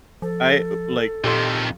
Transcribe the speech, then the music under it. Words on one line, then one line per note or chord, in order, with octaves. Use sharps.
I, uh, like,
F3 A4
F2 A#2 D#3 G4 A4 C6